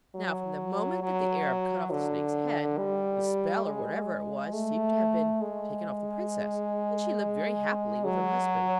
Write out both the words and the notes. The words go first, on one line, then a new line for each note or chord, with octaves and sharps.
Now, from the moment that the Arab cut off the snake's head, the spell, or whatever it was, seemed to have been taken off the princess, and she lived very happily with her husband.
F#3
F#3
D3
G3
G#3
A3
G#3
F#3